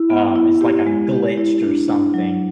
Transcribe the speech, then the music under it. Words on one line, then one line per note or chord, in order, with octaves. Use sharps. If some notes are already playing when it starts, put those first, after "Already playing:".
um, it's like I'm glitched or something,
Already playing: E4
B3
E4
G4
G#3
G4
E4
D4
D4
F#3